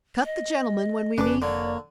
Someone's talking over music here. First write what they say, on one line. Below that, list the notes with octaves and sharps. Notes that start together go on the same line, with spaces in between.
Cut the gentleman when we meet?
D#5
F1 C#3 C#4 D4 B4 D6
D3 A#3 C#5 D5